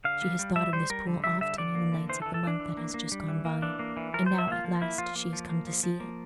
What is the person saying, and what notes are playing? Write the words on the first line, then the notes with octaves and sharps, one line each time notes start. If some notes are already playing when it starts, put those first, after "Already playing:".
She has thought of this pool often in the nights of the month that has just gone by, and now at last she is come to see it.
D3 F5
G3
G3
G3 E5
G3 C5
G3 A#4
D3
G3 E5
D3 E5
D3 D5
A#3
D3
E3 C5
A4
E3
A4
E3 D4
E3
A#3
A#3
G3
E3
A#3
E3 D4
A#3
E3
F3 A#4
F3 C5
E5
A#3 F4
F3
A#3 E4
F3 F4
A#3
F3
A#3
F3
F3
A#3